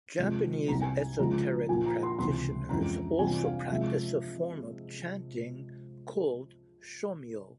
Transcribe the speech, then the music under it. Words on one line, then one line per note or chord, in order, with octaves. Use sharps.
Japanese esoteric practitioners also practice a form of chanting called "shomyo".
C3 F3 G#3
C2 C3 G3 A#5
G#5
C#3 F3 G#3 A#5
A#2 F3 A#3 F4 G#5
A#5
C6
C#2 C3 E3 C6
F2 E3 G#3 C#4 E4 A#5
C3 E3 G3 C4 F4 G#5
F5
C3 F3 G#3 E5